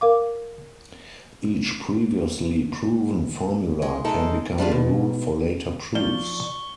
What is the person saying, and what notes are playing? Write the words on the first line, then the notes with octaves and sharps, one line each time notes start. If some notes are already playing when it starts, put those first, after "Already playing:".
Each previously proven formula can become a rule for later proofs.
A#4 F5 D6
G#3
G#3 D#4 A4
G3 D4 F4 G#4
B2
F3 D5 C#6 G7